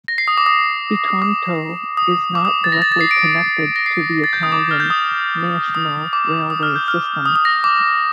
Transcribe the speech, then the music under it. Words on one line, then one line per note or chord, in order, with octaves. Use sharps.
Bitonto is not directly connected to the Italian national railway system.
A#6
C7
D#6
D6
D#6
D6
D#6
D6
D#6
A6
A#6
A6
A6
C7
D7
A#6
C7
A6
G6
D#6
D6
F6
G6
D#6
D#6
D6
D#6
F6
G6
F6
D#6
D#6
A#6
D6